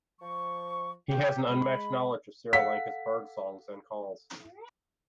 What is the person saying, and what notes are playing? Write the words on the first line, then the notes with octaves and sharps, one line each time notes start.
He has an unmatched knowledge of Sri Lanka's bird songs and calls.
F3 C#6
G4
G#3 B5
A4 F5 F#5 B6